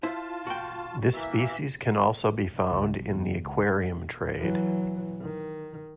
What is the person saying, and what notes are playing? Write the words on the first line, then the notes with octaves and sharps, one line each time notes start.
This species can also be found in the aquarium trade.
E4 F4 C5 A5
F#4 G5
E3 A#3 E5
C#2
B1
E2
C#2
E3 F#3
D#3